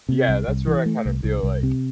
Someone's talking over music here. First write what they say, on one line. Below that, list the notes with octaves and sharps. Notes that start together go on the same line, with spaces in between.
yeah, that's where I kinda feel like,
C3
C2
C2
E3
A3
C2
C2
C2
C3